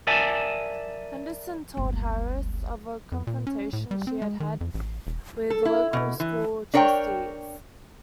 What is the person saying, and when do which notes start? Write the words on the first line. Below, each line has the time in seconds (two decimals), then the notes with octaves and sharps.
Henderson told Harris of a confrontation she had had with local school trustees.
0.07 A#4 D5 E5 G#5 A5
1.77 D1 G1
3.12 F2
3.27 A#2
3.47 C#4
3.73 A2
3.91 G3
4.07 C4
4.22 G#3
4.40 D#3
4.61 F2
4.74 A1
5.07 E1
5.50 A4
5.65 E4
5.93 B2
6.20 E3
6.74 D4 A#4 C#5 D5 G5